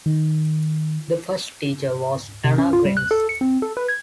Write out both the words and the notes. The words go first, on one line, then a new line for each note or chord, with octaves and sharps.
The first teacher was Anna Grimes.
D#3
C3
C#4
F4
G3
F#6
A4
C#7
C4
A4
B4
G#6